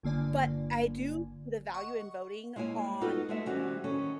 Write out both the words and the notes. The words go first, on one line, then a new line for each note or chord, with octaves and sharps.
but I do the value in voting on,
G1 D3 A#3 D5 G#5
D#5 F#5 C#6
G#3 A#3 E4 C#5 G#5
B3 D#4 F4 F#4 A4 B4
G#3 A3 E5
C3 E3 G3 C#4 F#4
D#3 C#4 A4